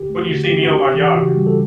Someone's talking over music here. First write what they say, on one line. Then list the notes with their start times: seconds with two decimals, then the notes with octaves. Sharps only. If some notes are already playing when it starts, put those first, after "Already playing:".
When you see me on my yacht.
Already playing: D3 G4
0.10 A3
0.17 F#4
0.31 D3
0.45 G4
0.52 C#4
0.63 F#4
0.73 D4 G4
0.94 E3
1.15 C#3 F#4
1.35 G3
1.47 A4